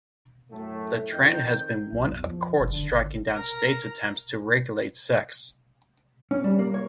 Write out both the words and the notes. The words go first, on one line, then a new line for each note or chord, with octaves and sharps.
The trend has been one of courts striking down states' attempts to regulate sex.
F#2 A2 A3
F2 D#3 G6
B1
E2
F3
F#1
D3
G#1
A#4 A#5
C#4
G3
A#3
C#5